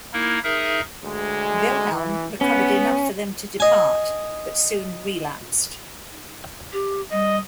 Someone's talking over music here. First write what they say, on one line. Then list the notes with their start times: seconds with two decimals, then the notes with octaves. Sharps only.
Wilhelm recovered enough for them to depart, but soon relapsed.
0.13 A#3 D#4 E4 A#4
0.44 D#4 G#4 A#4 E5
1.04 D2 G#3
1.93 E3
2.41 B3 C#4
3.60 D#5 G#5
6.73 G4
7.12 G3 D#5